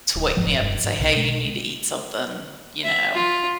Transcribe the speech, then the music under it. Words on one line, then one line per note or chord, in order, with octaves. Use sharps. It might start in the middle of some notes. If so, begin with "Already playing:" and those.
to wake me up and say, "Hey, you need to eat something," you know.
D1
F1 G#2 F3 G#3
F1 G2
G#2
B1 C#3
B2 G#3
E5
F4